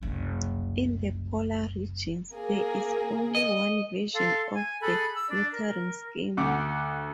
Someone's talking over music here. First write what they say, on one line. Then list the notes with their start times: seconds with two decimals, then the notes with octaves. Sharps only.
In the polar regions, there is only one version of the lettering scheme.
0.02 F#1 C2
2.34 A#3 G#4 A#4
3.35 D#5
4.14 A4 F5 C6
4.54 G#5
4.81 G#4 A4 B5 F#6
5.14 E6
5.29 D4 D5
5.52 A#4
6.37 D2 F#5 D6